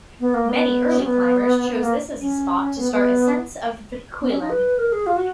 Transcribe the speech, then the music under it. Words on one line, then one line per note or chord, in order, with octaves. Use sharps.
Many early climbers chose this as a spot to start ascents of the Cuillin.
B3
A#3
B3
C#4
B3
B3
A#3
C#4
B3
B3
B3
C#4
D#4
B4
A#4
G#4
F4
F#4